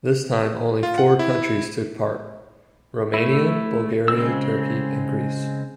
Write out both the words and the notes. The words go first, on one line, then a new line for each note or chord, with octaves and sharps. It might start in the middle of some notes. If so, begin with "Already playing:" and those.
This time only four countries took part - Romania, Bulgaria, Turkey and Greece.
F4
F#5
E4
A3 E4
C#3 G#3 C4 E6